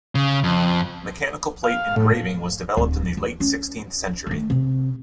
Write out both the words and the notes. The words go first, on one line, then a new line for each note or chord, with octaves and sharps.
Mechanical plate engraving was developed in the late sixteenth century.
C#3
F2
F5
A2
D1
F3
C#4
D#3 A3
C3